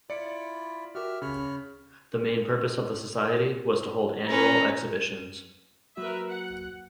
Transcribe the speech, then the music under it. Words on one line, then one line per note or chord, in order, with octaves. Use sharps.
The main purpose of the society was to hold annual exhibitions.
E4 F4 D5 B5 C#7
F#4 G4 A#4 E5 F6
C#3 C#5 B5 F6
C#4 B4 A#5
F#3 A#3 F#4 A#4 B4 E5
F#5